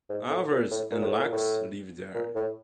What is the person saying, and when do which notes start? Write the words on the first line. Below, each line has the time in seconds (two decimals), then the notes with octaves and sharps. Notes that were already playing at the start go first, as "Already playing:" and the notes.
Avars and Laks live there.
0.10 G#2
0.30 A2
0.50 A#2
0.71 A2
0.92 A#2
1.02 A2
1.13 A2
1.22 A#2
1.33 A2
2.15 A#2
2.36 A2